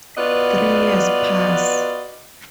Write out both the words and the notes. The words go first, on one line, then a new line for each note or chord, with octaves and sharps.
Three years pass.
B3 F4 F#4 B4 D5 D#5